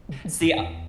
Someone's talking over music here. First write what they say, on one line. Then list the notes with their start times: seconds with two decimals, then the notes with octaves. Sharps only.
See, uh
0.09 C3
0.25 D3
0.42 F2
0.58 E2